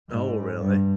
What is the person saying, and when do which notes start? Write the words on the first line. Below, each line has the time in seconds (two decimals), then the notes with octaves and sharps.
Oh, really?
0.10 G#2
0.60 G2